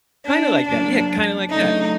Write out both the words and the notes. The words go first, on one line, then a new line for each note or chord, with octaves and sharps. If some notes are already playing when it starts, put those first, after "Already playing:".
kinda like that yeah, kind of like that,
D4
F#2 C#3 F#3 A#3 D4
C#3 F#3 A3 D4 D#4